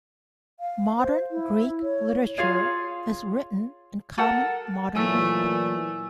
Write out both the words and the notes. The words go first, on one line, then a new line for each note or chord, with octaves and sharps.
Modern Greek literature is written in common Modern Greek.
F5
C5
E4
C#5
F4 G#4 C#5 F5
A4 A#4 F#5 A5
A#2 E3 F#3 A3 E4 G#5 E6